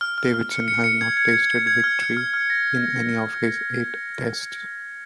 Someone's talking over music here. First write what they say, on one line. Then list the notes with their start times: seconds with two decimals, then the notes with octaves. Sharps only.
Davidson had not tasted victory in any of his eight Tests.
0.01 F6
0.18 F6
0.34 F6
0.51 C#7
0.68 C#7
0.84 C#7
1.01 G#6
1.17 G#6
1.34 G#6
1.51 C#7
1.67 G#6
1.84 F6
2.00 C#7
2.17 F6
2.34 F6
2.50 A#6